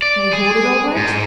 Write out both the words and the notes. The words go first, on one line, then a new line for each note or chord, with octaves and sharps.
"Can you hold it all right?"
D5
G#4
G#2